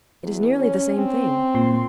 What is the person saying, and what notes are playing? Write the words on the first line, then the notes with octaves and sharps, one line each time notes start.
It is nearly the same thing.
E2
C#4
C4
A#2 C6